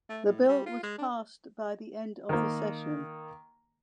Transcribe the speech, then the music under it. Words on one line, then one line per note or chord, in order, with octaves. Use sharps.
The Bill was passed by the end of the session.
A3
A2
G3
F4
G#3
D4
D#3 A#3